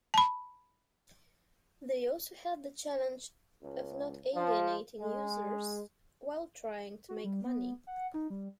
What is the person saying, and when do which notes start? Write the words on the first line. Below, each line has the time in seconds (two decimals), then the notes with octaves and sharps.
They also had the challenge of not alienating users while trying to make money.
0.14 A5 B5
3.62 C#2
4.34 F3
4.99 G#3
7.09 F#4
7.24 G3
7.44 B3
7.87 F#5
8.14 D#4
8.30 G3